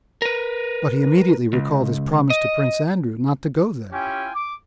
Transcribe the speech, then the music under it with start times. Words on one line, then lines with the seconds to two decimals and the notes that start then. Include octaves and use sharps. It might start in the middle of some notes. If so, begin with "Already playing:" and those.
But he immediately recalled his promise to Prince Andrew not to go there.
0.22 A#4 B4
1.53 C#2
2.30 D#5
3.93 C#4 E4 F4 G4 G5 G#5
4.35 D6